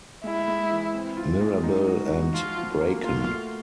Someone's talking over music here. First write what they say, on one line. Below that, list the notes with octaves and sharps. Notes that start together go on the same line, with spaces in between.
Mirabel and Bracon.
G#3 E4
G#3
E3
C4
F4
G#3
D#4
F#4
F#4
F3 F4
F3
A#3
F4 F#4
A3